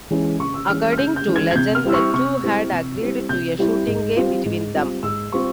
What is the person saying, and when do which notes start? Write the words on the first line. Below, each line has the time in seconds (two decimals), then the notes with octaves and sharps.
According to legend the two had agreed to a shooting game between them.
0.10 E3 G#3 C#4
0.39 C#3 C#6
0.54 E6
0.69 E3 G#3 C#4 F6
0.92 F6
0.97 C#3 G6
1.16 G6
1.27 E3 G#3 C#4
1.36 G#6
1.51 G#6
1.55 C3 G6
1.75 F6
1.84 G3 C4 E4 E6
1.94 C#6
2.13 C3 C#6
2.43 G3 C4 E4
2.71 C3
3.00 G3 C4 E4
3.29 C3 G6
3.58 G3 C4 E4
3.87 G#2
4.16 G3 C4 F4
4.45 G#2
4.74 G3 C4 F4
5.03 G#2 E6
5.32 G3 C4 F4 C#6